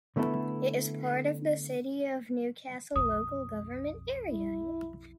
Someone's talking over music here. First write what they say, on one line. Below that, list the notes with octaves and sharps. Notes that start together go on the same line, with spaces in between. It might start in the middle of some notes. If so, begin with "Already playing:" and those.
It is part of the City of Newcastle local government area.
D3 A3 B3 E4 A4
B1 F2 D#6
E4